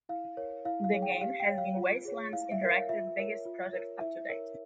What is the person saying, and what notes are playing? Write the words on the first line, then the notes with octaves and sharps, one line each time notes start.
The game has been Wastelands Interactive biggest project up to date.
E4 F5
A#4 C#5
E4 F5
F5
G#4 C#5
G5
G4 F5
G5
C#5
F5
F4
G#4 C#5
E4 F5
E5
A#4 C#5
F5
F4 E5
A#4 C#5
F4
A#4 C#5
E4 E5
A#4 C#5